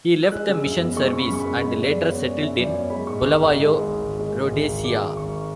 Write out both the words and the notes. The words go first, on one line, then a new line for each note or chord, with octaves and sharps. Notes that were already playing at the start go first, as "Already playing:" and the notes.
He left the mission service and later settled in Bulawayo, Rhodesia.
E6
G#3 F#6
C#3
E6
F#2
B3
G#3 C#6
C#3 C#6
B5
F#2 C#6
B3 B5
G#3 B5
C#3 D5
F#2
C#5
B3
G#3 D5
C#3 E5
F#2 D5
D5
B3 C#5
G#3 B5
G#2 C#6
G#1 D6
G#1
G#3
G#2
G#1
G#1
G#3
G#2
G#1
G#1
G#3 D6
G#2
G#1 C#6